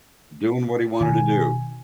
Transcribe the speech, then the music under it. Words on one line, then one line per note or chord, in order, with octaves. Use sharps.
Doing what he wanted to do.
B2 D#3 G#5